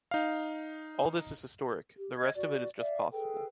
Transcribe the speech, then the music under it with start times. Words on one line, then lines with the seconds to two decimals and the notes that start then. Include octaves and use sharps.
All this is historic: the rest of it is just possible.
0.11 D#4 F5
1.96 G4
2.16 D#5 G#6
2.36 F#4 D5
2.76 D5 E5 F5
3.12 G#4 A4 B4 G5